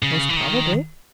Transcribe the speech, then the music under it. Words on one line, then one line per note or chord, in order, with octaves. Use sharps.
"Most probably."
C#3
E3
D#3